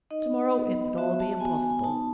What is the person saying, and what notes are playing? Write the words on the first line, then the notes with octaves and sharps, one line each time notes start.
To-morrow it would all be impossible.
D#4 D#5
B3
F#4 E5
A5
B3 G#5
G#5
D#4 A5